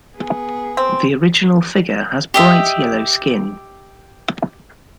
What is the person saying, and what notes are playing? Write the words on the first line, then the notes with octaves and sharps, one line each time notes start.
The original figure has bright yellow skin.
B3 G#4
C4
G4 D#5 E5